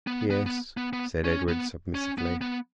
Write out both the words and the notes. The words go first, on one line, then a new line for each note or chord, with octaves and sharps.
"Yes," said Edred submissively.
B3
B3
B3
B3
B3
C#4
B3
C#4
B3
B3